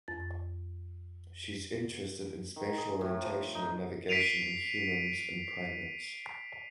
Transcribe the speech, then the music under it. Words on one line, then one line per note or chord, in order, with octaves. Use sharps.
She is interested in spatial orientation and navigation in humans and primates.
F2 A6
D#3
G#4
A2
F3
D#4
B6 C7 D7 D#7 F7